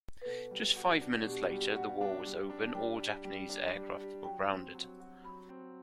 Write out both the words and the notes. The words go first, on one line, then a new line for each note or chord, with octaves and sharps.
Just five minutes later, the war was over and all Japanese aircraft were grounded.
B4
B2 A4
G3
F#4
D4
B2 G4
F#4
G3
G4
F#4 F#5
D4
G3
D4
A5
G3 G5
G4
G3
D4
G3
G4
F#3 G5
C4
F#3
F#4
F#3 B5
C4